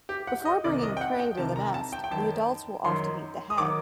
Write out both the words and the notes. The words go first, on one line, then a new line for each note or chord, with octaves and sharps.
Before bringing prey to the nest, the adults will often eat the head.
G4
F#5
D#5
C2 C3 D#3 D5
D#5
G5
F#5
G5
C2 C3 D#3 A5
A#5
A5
G5
G5
F#2 D#3 F#3 A5
F#2 D#3 F#3 C6
D#6
D#3 F#3 D6